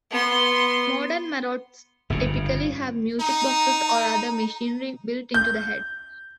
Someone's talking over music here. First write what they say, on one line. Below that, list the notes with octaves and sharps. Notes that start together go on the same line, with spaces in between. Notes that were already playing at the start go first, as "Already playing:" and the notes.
Modern marottes typically have music boxes or other machinery built into the head.
B3 C6
G1 F2 C#3
D#4 A#5
G6